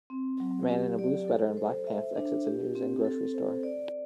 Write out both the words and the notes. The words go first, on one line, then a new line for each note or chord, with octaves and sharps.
A man in a blue sweater and black pants exits a news and grocery store.
C4
F#3
G4
D5
A4
C5
E5
D4
G4
C4
A4
C5
D5